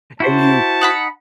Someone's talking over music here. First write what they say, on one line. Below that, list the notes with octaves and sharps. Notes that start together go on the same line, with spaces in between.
and you
E4 F#4 C5 A5
D#4 F#5 B5